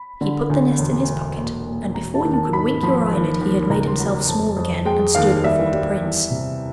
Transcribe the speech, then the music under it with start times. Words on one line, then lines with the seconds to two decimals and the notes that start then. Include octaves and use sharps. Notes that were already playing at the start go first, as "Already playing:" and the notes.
He put the nest in his pocket, and before you could wink your eyelid he had made himself small again, and stood before the prince.
Already playing: B5
0.21 D3
0.50 D2
0.78 E1
1.08 E1
1.37 A#2
1.67 A#2
1.94 E1 A#5
2.15 A5
2.24 D#2
2.33 A5
2.53 G#2 B5
2.83 F3
3.11 D#2
3.41 D#2
3.70 C#2 A#5
3.87 C6
3.99 F#3 B5
4.15 A#5
4.28 F2 A5
4.56 F2
4.85 G#3 G5
5.15 D#2 F5
5.44 G3 E5
5.74 G3
6.03 E2
6.31 C3